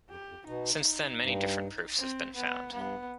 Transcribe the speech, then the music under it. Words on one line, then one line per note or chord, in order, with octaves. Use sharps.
Since then, many different proofs have been found.
F2 G4
F2
B2 D#4
G2
C4
B3
G2 B3